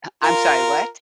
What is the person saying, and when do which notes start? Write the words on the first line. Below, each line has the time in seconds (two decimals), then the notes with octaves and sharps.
Uh, I'm sorry, what?
0.24 F4 A#4